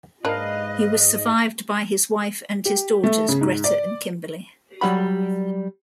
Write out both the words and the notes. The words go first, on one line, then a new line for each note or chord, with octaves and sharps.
He was survived by his wife and his daughters Greta and Kimberly.
G#2 A#3 D4 B4 D#5 F5
G4
A3
C#3
G#2
D5
F#3 G3 F#5 B5